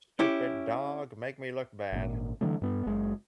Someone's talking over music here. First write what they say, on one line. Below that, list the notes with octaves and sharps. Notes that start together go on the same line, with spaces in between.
"Stupid dog, make me look bad."
C#4 E4 G4
G#1 A#2
D3 E3 F#3 A3
G2 B3
F#1 G#3